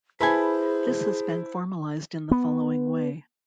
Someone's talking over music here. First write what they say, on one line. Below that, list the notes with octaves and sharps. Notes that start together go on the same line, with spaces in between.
This has been formalized in the following way.
E4 G#4 B4 C5 G#5 A5 B5
B3